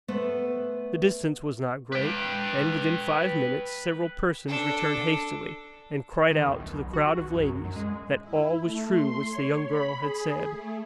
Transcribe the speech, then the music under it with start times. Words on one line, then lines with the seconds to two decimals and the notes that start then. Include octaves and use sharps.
The distance was not great; and within five minutes several persons returned hastily, and cried out to the crowd of ladies that all was true which the young girl had said.
0.08 A3 B3 B4 C5
1.92 B4 G5
4.48 D4 A4
6.31 D#3
6.48 E2
6.60 B1
6.93 F#4
7.18 B1
7.34 F#2
7.65 F#2
7.76 G#3
8.21 E4
8.62 A3
8.93 C6
9.29 C#5
9.65 B5
9.98 G#4
10.49 A3